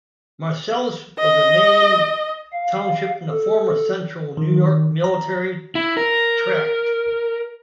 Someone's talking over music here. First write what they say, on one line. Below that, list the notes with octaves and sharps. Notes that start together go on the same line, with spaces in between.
Marcellus was a named township in the former Central New York Military Tract.
D#5
F5
A4
D#3
A#5
E4
A#4